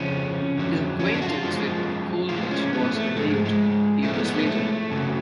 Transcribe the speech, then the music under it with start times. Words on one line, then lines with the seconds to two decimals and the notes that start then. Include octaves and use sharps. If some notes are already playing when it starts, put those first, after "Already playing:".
His acquaintance with Coleridge was renewed years later.
Already playing: F2 C#3 F3 C#4
0.57 F2 D3 F#3
0.99 C#4
1.14 D4
1.22 F#4
1.28 F4
1.43 F#2 F3 G#3
2.29 A2 F3 G#3 F4
2.51 C#4
2.73 B3
2.95 A3
3.16 G#2 F3 G#3 A3
3.30 G#3
3.45 G#3
4.02 A2 F3 G#3 A3
4.13 B3
4.24 B3
4.35 B3
4.46 A3
4.90 F#2 C#3 F#3